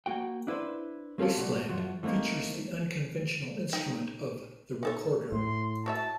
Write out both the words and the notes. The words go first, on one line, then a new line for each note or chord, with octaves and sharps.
"Wasteland" features the unconventional instrument of the recorder.
A#3 F#4 G5
D4 E4 B4 C5
F#3 C4 C#4 F4 A4
C2 A#2 F#3 A3
F#2 F3 F#3
E3 A3 A#3 C4 D#4
D#4 G5
D#4 A4 C#5
A2 C6
F#4 C#5 E5 A5